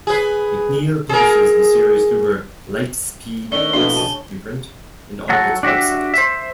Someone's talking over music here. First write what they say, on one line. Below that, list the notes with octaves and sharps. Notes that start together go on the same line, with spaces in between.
McNeil publishes the series through her "Lightspeed Press" imprint and on its website.
G#4 B4
G#4 A#4
D#3 A3 C#4 D4 C5 D5 G7
F2 B2 F3 A#3 D4 E4
C#3 G#5 A5
F#3 F#4 A4
D4 F#4 G4 E5
C5 E5